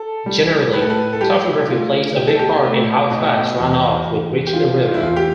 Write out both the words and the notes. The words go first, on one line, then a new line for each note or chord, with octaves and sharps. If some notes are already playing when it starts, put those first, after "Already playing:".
Generally, topography plays a big part in how fast runoff will reach a river.
Already playing: A4
G3
A2 B4
A4
B4
A4
G3 G4
A3 F4
B2 G4
A4
G4
A3
B2
E2
E2
G4
E3 F4
F4
E4
E2 F4
G4